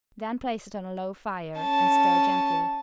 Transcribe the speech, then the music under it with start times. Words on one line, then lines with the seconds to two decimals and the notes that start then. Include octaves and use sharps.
Then place it on a low fire and stir gently.
1.59 C#4 A5